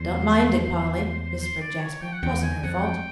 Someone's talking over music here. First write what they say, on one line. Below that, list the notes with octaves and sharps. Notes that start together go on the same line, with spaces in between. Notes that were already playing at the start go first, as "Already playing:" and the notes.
"Don't mind it, Polly," whispered Jasper; "twasn't her fault."
Already playing: E2 C5
C5
D5
C#5
G5
F#5
E2 G5
G#5
F2 F#5
G5